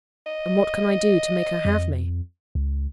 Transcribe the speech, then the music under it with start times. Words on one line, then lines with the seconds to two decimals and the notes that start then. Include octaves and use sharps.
And what can I do to make her have me?
0.26 D#5
1.65 F2
2.55 C#2